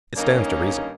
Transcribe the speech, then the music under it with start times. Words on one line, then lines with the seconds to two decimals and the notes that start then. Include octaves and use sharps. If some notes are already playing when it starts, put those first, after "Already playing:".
It stands to reason.
0.15 G2 D#3 A#3 C#4 D#4